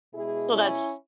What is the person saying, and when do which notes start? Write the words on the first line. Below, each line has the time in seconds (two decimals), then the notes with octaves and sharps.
So that's
0.13 B2 G#3 E4 G#4
0.52 C#4 E4